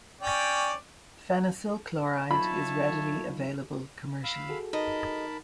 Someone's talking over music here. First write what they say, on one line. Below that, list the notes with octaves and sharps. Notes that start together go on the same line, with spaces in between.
Phenacyl chloride is readily available commercially.
C#4 D5 G5
F#3 D#4 F4 C#5 E5 A5 B5
F5 B5 E6
F#4 G#4 A4
D#4 A#4 D#5 A5 B5